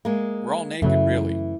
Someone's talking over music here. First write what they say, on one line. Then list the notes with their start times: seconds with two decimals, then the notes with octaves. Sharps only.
We're all naked really.
0.05 G#3 A#3
0.82 F#2 C#3 E3 F#3 A3